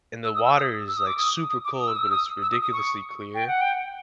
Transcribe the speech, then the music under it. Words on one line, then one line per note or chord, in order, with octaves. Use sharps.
and the water is, like, super cold, but it's ridiculously clear.
E6
D#6
E6
D#6
E6
D#6
D6
D#6
D#6
D6
D#6
E6
D#6
E6
D#6
E6
D#6
D#6
C#6
G5
F#5
G5